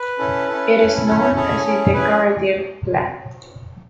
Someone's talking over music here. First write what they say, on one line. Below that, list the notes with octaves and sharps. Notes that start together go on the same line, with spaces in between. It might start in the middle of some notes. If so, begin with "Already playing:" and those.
It is known as a decorative plant.
Already playing: B4
C#4 E4 A4
C#4 E4 A4
C#4 E4 A4
C#4 E4 A4 C#5
A4 C#5
C#4 E4 G#4 A4 C#5
C#4 E4 G#4
C#4 E4 G#4 B4